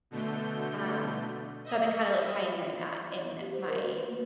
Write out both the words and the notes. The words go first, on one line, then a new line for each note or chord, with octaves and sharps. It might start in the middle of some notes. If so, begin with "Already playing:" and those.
Um, so, I've been kinda, like, pioneering that in my
B2 D3 A3 G6
D#5 E5
G4
C5
A#4
F#4
B4
A#3